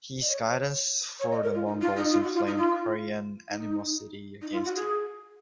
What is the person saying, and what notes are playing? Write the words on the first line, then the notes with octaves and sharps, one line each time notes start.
His guidance for the Mongols inflamed Korean animosity against him.
D#5
C#5
C#5
D#5
A#4
F4
D#4
F4
D#4
F4
F#4
F4
D#4
F4
D#4
D#4
F4
F#4
G#4